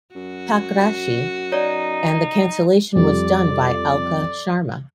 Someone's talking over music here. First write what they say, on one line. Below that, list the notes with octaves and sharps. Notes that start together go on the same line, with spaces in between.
Pakrashi, and the cancellation was done by Alka Sharma.
F#2 F#4
D#4 C#5 D5
F2 G3 D5